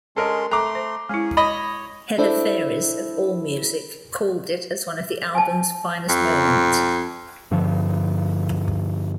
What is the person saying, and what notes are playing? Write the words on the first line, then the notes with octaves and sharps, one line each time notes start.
Heather Phares of Allmusic called it as one of the album's finest moments.
G#3 C#4 A4 A#4 D#5 C6
A3 A4 A#5 C6 D6
C5
G#3 C#4 E4 G#4
C#5 D#5 B5
D4 E4 A4 C5 D5
G#5 A5
F2
G2 D3 F3